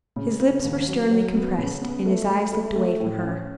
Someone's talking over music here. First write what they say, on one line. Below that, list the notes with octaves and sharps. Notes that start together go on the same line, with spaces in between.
His lips were sternly compressed, and his eyes looked away from her.
C#3
C#3
D#2
F#3
F#3
B3
C#3
B3
A3
A3
A3
A3
A2
C#4